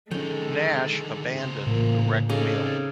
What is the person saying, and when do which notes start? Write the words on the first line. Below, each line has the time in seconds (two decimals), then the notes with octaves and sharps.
Nash abandoned the wrecked mill.
0.11 D3 D#3 F3 G#3 C#4 A4 G5
1.35 C#3 C5
1.67 A2 E3 A#3 F4
2.30 C#3 C4 D#4 G4 A4